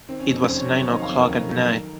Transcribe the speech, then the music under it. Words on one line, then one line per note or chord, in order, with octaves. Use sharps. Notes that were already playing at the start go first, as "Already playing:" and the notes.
It was nine o'clock at night.
D#3 C4
C#4
F2
C#4
F1 C5
C#5
F#3
C#5
D#3 D#5
F5
F2
A#4
F1
F#3
D#3